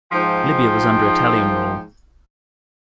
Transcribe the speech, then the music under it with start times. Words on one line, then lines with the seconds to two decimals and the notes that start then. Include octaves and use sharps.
Libya was under Italian rule.
0.12 G#2 F3 G5